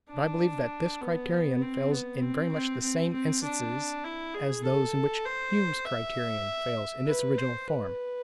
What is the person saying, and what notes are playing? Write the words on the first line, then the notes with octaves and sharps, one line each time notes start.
But I believe that this criterion fails in very much the same instances as those in which Hume's criterion fails in its original form.
D4
B3
C4
B3
C4
C4
C4
C4
D4
E4
G#4
A4
C5
E5
B4
C5
B4